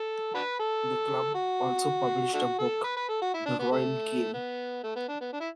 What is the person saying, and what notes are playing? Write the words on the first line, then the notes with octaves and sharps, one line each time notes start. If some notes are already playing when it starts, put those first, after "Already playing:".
The club also published a book, "The Royal Game".
Already playing: A4
D4 F#4 B4
A4
F#4
A3 D4 F#4
A4
B4
B4
A4
F#4
E4
D4
B3
A3
B3
A3
B3
D4
B3
D4
E4